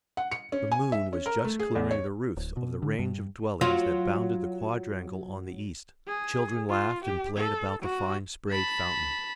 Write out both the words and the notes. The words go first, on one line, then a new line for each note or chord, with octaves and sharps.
The moon was just clearing the roofs of the range of dwellings that bounded the quadrangle on the east. Children laughed and played about the fine-sprayed fountain.
F#5
C#7
C#4
G#5
E5
C#4
A#4
A3
G#4
E2
C#5
D1
B2
D3
G2
F#3 F4
G#4
F4
G4
A4
F#4
A5 B5